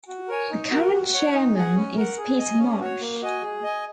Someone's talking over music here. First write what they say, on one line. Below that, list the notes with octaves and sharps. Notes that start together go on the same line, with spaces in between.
The current chairman is Peter Marsh.
F#4
A#4 C#5 G#5
D#4
F#4 A#4
F#4
C#5 F#5
D#4
G#4 F#5
C#4
A#4 F#5
G#4
D#5 G#5
C#4
F#4 C#5
A#3
F#4 D#5 G#5
G#4
D#5 G#5